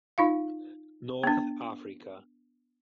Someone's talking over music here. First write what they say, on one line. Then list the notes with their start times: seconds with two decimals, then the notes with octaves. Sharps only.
North Africa.
0.18 D#4 F4 F5
1.23 B3 D4